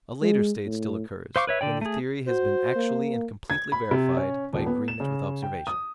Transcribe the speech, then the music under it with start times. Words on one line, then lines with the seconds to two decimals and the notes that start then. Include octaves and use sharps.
A later stage still occurs when the theory has been actually and completely verified by agreement with observation.
0.22 G#3
0.66 A2
1.36 C5 F5 C#6 D6
1.47 B4 C#5 E5
1.61 D3 D5 G5
1.81 A3 G#4
2.27 F#4 C5
2.76 A#3
3.50 G#6
3.72 B5
3.91 C3
4.17 C#4
4.53 D#1
4.66 B3
4.88 E7
5.00 C#3
5.43 G5
5.67 D#6